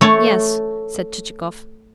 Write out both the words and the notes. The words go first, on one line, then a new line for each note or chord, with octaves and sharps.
"Yes," said Chichikov.
A3 C#5